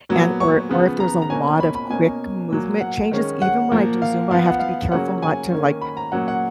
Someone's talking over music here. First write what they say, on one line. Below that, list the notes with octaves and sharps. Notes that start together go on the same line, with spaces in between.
And or or if there's a lot of quick movement changes, even when I do Zumba, have to be careful not to, like
A#2 F#3 B3
C#6
C#3 F3 B3
A#5
A#5
B2 A#3 C#4 G#5
B5
B5
B2 A#3 C#4 G#5
A#2 F#3 A#3
F#5
D#3 G#3 C#4
F#5
A#2 F3 A#3
F5
F3 B3 F5
F#5
F5
C#3 F#3 A#3 C#4 F#5
G#5
D#3 A#3 C#4
B5
A#5
A#2 F#3 C#4 F#5
F#5